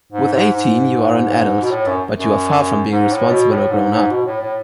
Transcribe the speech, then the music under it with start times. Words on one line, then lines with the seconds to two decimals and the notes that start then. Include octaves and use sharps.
With eighteen you are an adult, but you are far from being responsible or grown up.
0.12 G#2
0.32 G#2
0.52 G#2
1.61 B2
1.71 A2
1.87 F#2
2.17 F#2
2.91 G#2
3.11 A2
3.31 B2
3.51 A2
3.71 G#2
3.91 G#2
4.11 B2
4.26 A2
4.41 A2